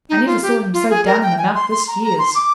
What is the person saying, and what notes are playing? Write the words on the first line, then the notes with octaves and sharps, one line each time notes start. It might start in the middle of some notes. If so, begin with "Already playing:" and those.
I never saw him so down in the mouth this years.'
D#4
F4
G4
F4
G#4
A#4
G5
G#5
C6
C6
A#5
A#5
C6
D6